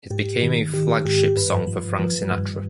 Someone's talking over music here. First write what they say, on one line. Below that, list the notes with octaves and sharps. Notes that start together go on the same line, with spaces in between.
It became a flagship song for Frank Sinatra.
G#2 G4
D#3
D#3 G4
G#2 G4
G2 B4
F3
F3
G2